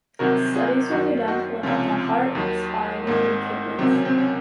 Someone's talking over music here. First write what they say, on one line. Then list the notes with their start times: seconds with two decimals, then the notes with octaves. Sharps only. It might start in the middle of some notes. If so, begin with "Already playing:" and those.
Studies will be done to look at the heart, spine and kidneys.
0.19 C2 C3 D#3 F#3 F#4 A#4
0.56 F4 G#4
0.91 F#2 D#3 F#3 D#4 F#4
1.28 D#4 F#4
1.63 C#2 C3 F3 C#4 F4
2.35 D#2 D#3 F#3
3.07 G#1 G#2 D#3 A#3
3.79 C#2 C3 D#3 F#3 C4
3.92 C#4
4.05 C4
4.18 C#4